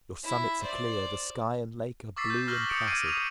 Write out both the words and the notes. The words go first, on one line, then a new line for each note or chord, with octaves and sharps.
Your summits are clear; the sky and lake are blue and placid.
E4 E5
C5 D5
C#6 D6 E6 A6 B6 C7
G6
F6 G6 A#6 F#7
D#6 C#7 D7 E7
D6 G#6 C7 D7 D#7
D6 D#6 D#7 F7